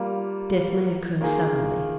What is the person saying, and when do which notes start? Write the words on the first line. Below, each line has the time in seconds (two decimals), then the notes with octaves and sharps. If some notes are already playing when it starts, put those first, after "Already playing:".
Death may occur suddenly.
Already playing: G3 A#3 F4
1.21 D#3 A#3 F4 G#4